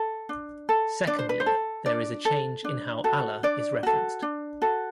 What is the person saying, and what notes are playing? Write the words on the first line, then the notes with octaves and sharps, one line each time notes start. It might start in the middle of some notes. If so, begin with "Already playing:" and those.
Secondly, there is a change in how Allah is referenced.
Already playing: A4
D4
A4
D4 D5
C5
B4
C5
A4
D4 D5
A4
D4
F#4 A4
D4 D5
F#4 A4
D4
F#4 A4